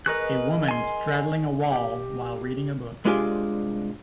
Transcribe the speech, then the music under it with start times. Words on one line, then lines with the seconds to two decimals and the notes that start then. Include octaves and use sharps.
A woman straddling a wall, while reading a book.
0.06 G#4 A#4 B4 D#5 C#6 F#6
0.68 G#5 C6
1.72 G4
3.05 C2 G#3 D4 F4 G4 G#5